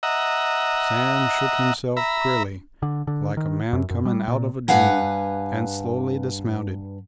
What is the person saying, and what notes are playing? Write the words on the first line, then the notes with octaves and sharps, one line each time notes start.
Sam shook himself queerly, like a man coming out of a dream, and slowly dismounted.
D#5 E5 F#5 A#5
E5 A#5 B5
D3
D3
D#3
F#2
F#2
G3
A#2
G2 F3 B4 F5 F#5 G#5